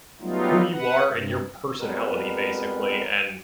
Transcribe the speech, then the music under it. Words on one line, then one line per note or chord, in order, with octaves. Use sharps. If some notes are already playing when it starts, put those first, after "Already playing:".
who you are and your personality, basically, and
F#3 G3 A3 B3 D#4 F4
B4 F#5
G2 C3
F2 G3 G#3 B3 A#4 B4